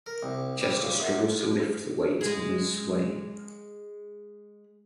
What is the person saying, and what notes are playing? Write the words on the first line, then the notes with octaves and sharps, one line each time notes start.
Chester struggles to lift the weight and they sway.
A#4
C2
G3
C#3
F#2
G#3 G#4